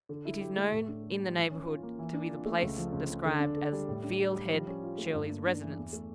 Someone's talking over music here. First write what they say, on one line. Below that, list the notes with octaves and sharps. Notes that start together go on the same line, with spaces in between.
It is known in the neighbourhood to be the place described as "Field Head," Shirley's residence.
D3
E4
G4
A3
A2
D4
A4
G3
E3
C#4
F4
A#3
E3
D4
F4
A3
C#2
F3
C#2
C#3
D3
D4
A4
G3
A2
D4
G4
G3
F3
C#4
F4
A3
G2
A#3
D4
E3
E2
A3